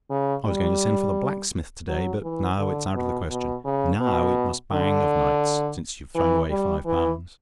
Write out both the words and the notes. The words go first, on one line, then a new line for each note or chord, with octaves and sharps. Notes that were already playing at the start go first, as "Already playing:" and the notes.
I was going to send for the blacksmith to-day, but now it's out of the question: NOW it must bang of nights, since you've thrown away five pounds.
C#3
G3
F#3
E3
D3
B2
B2
C#3
B2
D3
E3
G3
E3